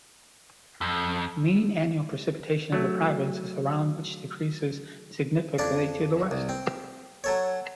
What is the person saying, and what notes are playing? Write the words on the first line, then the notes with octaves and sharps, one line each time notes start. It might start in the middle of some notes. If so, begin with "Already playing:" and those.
Mean annual precipitation of the province is around which decreases significantly to the west.
F2
F#3 A3
F2 D4 D5
C2
C4
F#3 A4 C#5